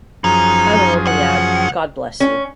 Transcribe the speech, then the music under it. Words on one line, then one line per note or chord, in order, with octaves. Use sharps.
I will only add, God bless you.
F#2 F3 D#4 G#4
C#2 F#5
C#4